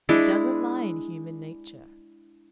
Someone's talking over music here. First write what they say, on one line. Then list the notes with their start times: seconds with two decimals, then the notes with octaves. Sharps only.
It doesn't lie in human nature.
0.09 G#3 D4 E4